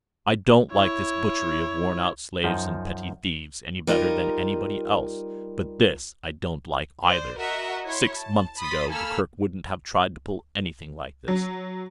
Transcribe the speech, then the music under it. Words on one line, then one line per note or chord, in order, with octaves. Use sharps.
I don't like this butchery of worn-out slaves and petty thieves any better than anybody else, but this I don't like either. Six months ago, Gurgurk wouldn't have tried to pull anything like this.
E4 C#5
F#2 F3 D#4
G3 D#4 F4 A#4 D#5
C5 D5
F#4 A#4 D#5 E5 F#5 A#5
E4 C#5 C6
A5
B5 C6 D#6 A6 B6
A#3 A4 G#5 B5 E6 F6
F#3